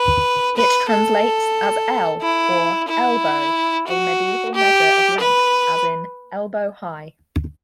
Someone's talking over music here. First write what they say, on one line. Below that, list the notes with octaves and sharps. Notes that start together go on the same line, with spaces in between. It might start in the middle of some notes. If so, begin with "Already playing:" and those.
It translates as "ell" or "elbow", a medieval measure of length, as in "elbow-high".
Already playing: B4
B4
A4
E4
E4
F#4
G4
B4